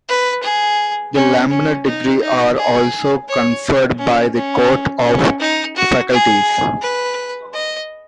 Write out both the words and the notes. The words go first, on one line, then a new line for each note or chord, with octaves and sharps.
The Lambeth degrees are also conferred by the Court of Faculties.
B4
G#4
C#4
C#4
D#4
D#4
G#4
C#5
C#4
C#4
C#4
D#4
F#4
G#4
B4
D#5